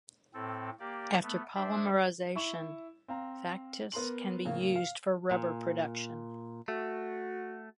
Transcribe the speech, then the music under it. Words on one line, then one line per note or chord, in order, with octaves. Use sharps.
After polymerization, factice can be used for rubber production.
A2 C4 A4
A#3 G4 D5
A3 B3
D4 C5 D5 E5
E4 C#6 E7
C4 F5 A#5
B3 A#4 C6 F#7
A2 C#3 A#3
F5
A#2
A3 F#4